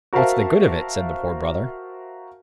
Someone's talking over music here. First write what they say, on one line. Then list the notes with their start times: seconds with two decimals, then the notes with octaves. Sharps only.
"What's the good of it?" said the Poor Brother.
0.13 F#4 A#4 C5 E5 F5 A5